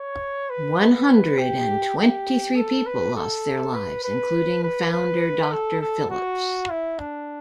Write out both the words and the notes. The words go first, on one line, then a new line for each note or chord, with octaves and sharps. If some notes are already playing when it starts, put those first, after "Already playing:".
One hundred and twenty-three people lost their lives, including founder Doctor Phillips.
Already playing: C#5
B4
B4
G4
G4
A4
B4
A4
B4
B4
B4
B4
A4
A4
F#4
E4
D4